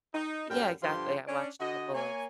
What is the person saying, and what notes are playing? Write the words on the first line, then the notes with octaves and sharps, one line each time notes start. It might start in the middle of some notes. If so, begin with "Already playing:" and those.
Yeah, exactly, I watched a couple of
D#4
F#2 A2 G3 A#4 G5
G2 D3 F3 F4 G4 C6
C#4 D4
D3 F#4 D#5
A#3 C#5 G#5